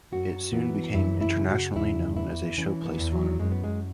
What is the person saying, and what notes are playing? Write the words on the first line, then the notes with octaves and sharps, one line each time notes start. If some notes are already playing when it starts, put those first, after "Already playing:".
It soon became internationally known as a showplace farm.
F#2 F#4
E3 B3
F#2 E4
E4
C#3
F#4
E2 E4
E3 E4
E3 C#4
B3
E2
F#3
F#2 G#3
B3
G#3